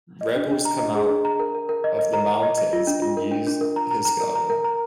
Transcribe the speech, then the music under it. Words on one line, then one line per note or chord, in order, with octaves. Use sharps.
Rebels come out of the mountains and use his garden.
D#5
D4
D4
A#5
D#5
G#4
D4
A#5
A#4
A#4
A#4
D#5
D#5
A#5
A#5
D#5
D#5
F4
D4
F4
A#4
D4
D4
A#4
A#5
A#5
A#5
A#4
A#5
A#4
A#5